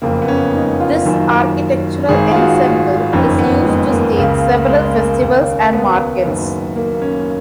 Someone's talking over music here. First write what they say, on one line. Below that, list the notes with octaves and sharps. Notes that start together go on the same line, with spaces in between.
This architectural ensemble is used to stage several festivals and markets.
F#1 F2 C#3 A#3
B3
C#4
D#4
F4
F#1 F#2 D#3
G#1 G#2 D#3 G#4
F4
F#4
F4
F#1 F2 D#3 C#4
B3
G#3
A#3
C#2 C#3
G#3
A#3
D#2 C#3
B3
F#1 F#2 D#3
A#3
C#4